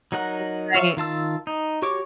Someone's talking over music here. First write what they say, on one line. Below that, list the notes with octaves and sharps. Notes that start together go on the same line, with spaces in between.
R right.
F#3 D#4 A#4 F#5
F4 C#5 E5 F5
D#3 F4 A5 E6
D#4
F#4 G4 C#5 C#6 D6